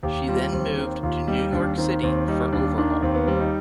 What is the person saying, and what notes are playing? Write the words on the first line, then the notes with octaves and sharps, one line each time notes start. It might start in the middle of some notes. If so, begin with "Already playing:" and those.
She then moved to New York City for overhaul.
D#2 G4
G3 F4
D#2 C4
D#3 C4
D#2 F4
G3 D#4
D#2 D4
D#3 C4
D#2 C4
G3 D#4
D#2 D4
D#3 D4
D#2 C4
B3
G3 C4
D#4